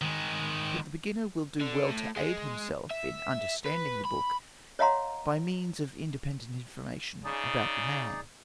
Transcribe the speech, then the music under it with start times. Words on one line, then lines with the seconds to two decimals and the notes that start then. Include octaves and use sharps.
But the beginner will do well to aid himself in understanding the book by means of independent information about the man.
0.02 D#3 G#3
1.61 D3
1.90 A2
2.16 G#3
2.91 E5
3.66 B4
4.05 B5
4.79 C#5 D#5 F5 F#5 A#5 C6
7.25 C#3 D#4 G#4 D5